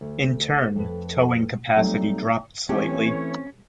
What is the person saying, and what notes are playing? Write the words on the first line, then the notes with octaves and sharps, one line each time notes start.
In turn, towing capacity dropped slightly.
D2
F2 A4 B4
F#3 G3 A3 C4 D#4
E3 A3 C4 C#4 G4 A4 C#5